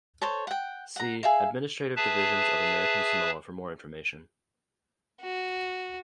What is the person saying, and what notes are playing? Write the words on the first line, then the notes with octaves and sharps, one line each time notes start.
See Administrative divisions of American Samoa for more information.
A4 C5 C#5
F#5 G5
F#5 A#5
G#4 E5 F5
G#4 B4 E5 A5
F#4